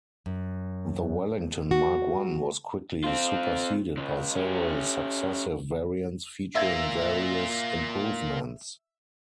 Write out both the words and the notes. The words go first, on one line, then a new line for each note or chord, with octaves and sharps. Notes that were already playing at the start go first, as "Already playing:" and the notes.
The Wellington Mark One was quickly superseded by several successive variants featuring various improvements.
F#2
F#4
C4 F4
C#2 C#3
C#4 G4
A#3 F4 E5